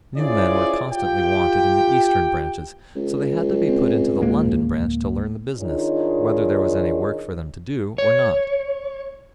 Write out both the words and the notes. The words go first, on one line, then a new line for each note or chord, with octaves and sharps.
New men were constantly wanted in the Eastern branches, so they had to be put into the London branch to learn the business, whether there was any work for them to do or not.
C#4 E4 F4 G#4 C5 D5
F4 G4 G5
C#2
C4
D1 G#3 A#3
D#3 D4 D#4 F4 G#4 C#5
C#5